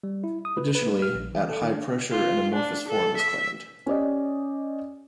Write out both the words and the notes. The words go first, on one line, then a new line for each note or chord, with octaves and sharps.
Additionally at high pressure an amorphous form is claimed.
G3
E4
D#6
B4
B4
G3
F6
A#1
E3
A4
D#3
D4
F4
D4
A4
E5
C#4 G4 D5 D#5